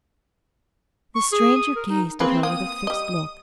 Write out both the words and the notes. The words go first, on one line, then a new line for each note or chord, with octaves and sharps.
The stranger gazed at her with a fixed look.
C#6
G#4
D#6
A#4
D#4
A#3 C4 G#4 B4
A#3 C4 D#6
G3 D#5